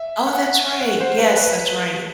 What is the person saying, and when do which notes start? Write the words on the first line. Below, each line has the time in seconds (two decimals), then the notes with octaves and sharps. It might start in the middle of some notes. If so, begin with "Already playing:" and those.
Oh, that's right, yes, that's right.
Already playing: E5
0.27 F#5
0.82 F#5
1.01 C5
1.19 B4
1.37 B4